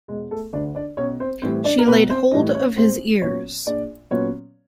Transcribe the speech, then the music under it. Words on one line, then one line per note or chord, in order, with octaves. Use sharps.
She laid hold of his ears.
E1 G#3 G#4
A3 A4
D2 D3 D4 D5
D4 D5
B1 C#4 C#5
C4 C5
A2 E3 G3 C4 C5
D4 D5
A#4
B1 B3 B4
C4 C5
A2 E3 G3 D#4 D#5
C#4 C#5
A#1 C4 C5
A#2 F#3 B3 C#4 C#5
A#1 D4 D5
A#2 F#3 B3 C#4 C#5